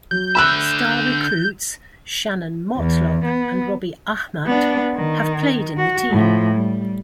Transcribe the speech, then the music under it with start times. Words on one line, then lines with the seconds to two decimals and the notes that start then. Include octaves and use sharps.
Star recruits, Shannon Motlop and Robbie Ahmat, have played in the team.
0.11 F#3 G6
0.35 D3 E5 B5 E6 F#6
2.77 E2
3.25 B3
4.46 B3 D4
4.95 D#3
5.77 F#4
6.11 A2 F3
6.55 G3